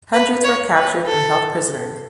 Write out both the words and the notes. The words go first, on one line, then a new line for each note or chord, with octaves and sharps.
Hundreds were captured and held prisoner.
B4
C#5
B4
A4